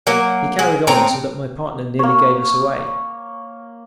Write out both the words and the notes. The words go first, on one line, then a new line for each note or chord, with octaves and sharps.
He carried on so that my partner nearly gave us away.
F#3 A#3
G#3
A2 C4 A#5
A#3 C#5